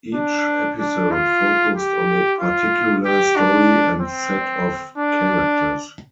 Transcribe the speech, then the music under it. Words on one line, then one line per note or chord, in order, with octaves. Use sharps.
Each episode focused on a particular story and set of characters.
D4
D4
F4
G4
F4
G4
D4
C4
D4